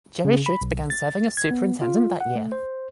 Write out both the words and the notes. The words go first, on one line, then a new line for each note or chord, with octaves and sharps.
Jerry Schutz began serving as superintendent that year.
C#3
B5
B1
A6
G#6
B3
F4
F#5
A3
C5